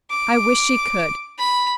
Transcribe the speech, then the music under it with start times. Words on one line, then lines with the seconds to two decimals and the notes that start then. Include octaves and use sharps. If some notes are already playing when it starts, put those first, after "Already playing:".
I wish she could.
0.10 D6
1.39 B5